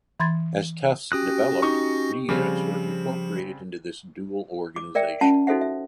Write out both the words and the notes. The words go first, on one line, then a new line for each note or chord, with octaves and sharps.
As Tufts developed, new units were incorporated into this dual organization.
E3 B5 C6 G#6 A6
C#4 F#4 G4 D#6 F#6 A#6
D#4 C#6
C#3 F3 G3 C4
D6
A#4 D5 E5 G5
C#4 F4 F#5 A5
D#4 F#4 A4 C5 E5 F#5
E5